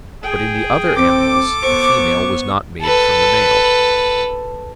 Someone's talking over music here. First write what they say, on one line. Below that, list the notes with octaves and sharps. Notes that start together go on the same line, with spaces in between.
But in the other animals the female was not made from the male.
G#4 G5
C4 A4 D6
B3 C5 C#6
A4 B4